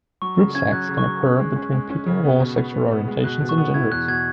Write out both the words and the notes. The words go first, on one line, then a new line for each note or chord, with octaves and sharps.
Group sex can occur between people of all sexual orientations and genders.
F#3 C#6
C#3
C#4 G#6
F#3 F#6
C#3
C#6
F#3
C#4
G#3
C#4
G#3
C#4
C#3
B3
B2
B3
B3
B3
G#3
B2 F#6
B2
C#6
B3
E4 G#6
E2 F#6
B2 G#6